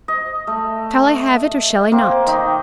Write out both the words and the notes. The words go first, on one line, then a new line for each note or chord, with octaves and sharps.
"Shall I have it, or shall I not?"
D#5
A3
A#3 C4
D#3 D#4 D#5